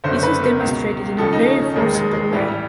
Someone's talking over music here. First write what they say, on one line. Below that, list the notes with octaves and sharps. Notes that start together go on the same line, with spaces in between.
This was demonstrated in a very forcible way.
F#1 F#2 D3 C5
B4
A#4
C#2 B2
D#2 C#3 F3 A4
D#4
C#4
C#4
E1 D#2 D#3 G#3
G#3
G#3
A1 A2 E3 G3
G3